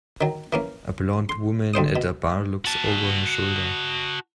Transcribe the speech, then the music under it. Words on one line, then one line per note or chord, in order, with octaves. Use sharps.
A blond woman at a bar looks over her shoulder.
D#3 F#3
E3 A#3 C#4
C6
D2 C4 C5 D#6
B2
F#4 A5